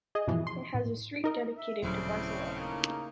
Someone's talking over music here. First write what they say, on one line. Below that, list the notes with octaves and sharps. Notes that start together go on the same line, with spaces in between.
It has a street dedicated to Barcelona.
G#4 D#5
G2 B2 E3 F3
C6
A2
D#4 A#4 D#5
E5
D#1 A2 C#3 F#3 G3 C4 E4
A#3 D#4